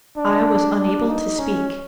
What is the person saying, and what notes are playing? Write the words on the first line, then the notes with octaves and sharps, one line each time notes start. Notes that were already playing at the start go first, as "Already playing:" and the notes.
I was unable to speak.
D4
D4
D#4
C#4